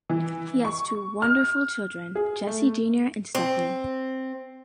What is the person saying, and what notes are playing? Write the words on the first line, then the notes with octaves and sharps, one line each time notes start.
He has two wonderful children, Jesse Junior and Stephanie.
E3
C#6
F6
G#4
A3
C4